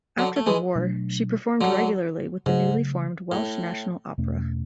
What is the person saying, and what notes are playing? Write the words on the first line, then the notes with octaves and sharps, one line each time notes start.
After the war, she performed regularly with the newly formed Welsh National Opera.
D3 F#3
A3
E3 G#3
B2 F#3 A3 D4
D3 F#3
G#2 C#3 F#3 A3
A2
E2 B2 A3 C#4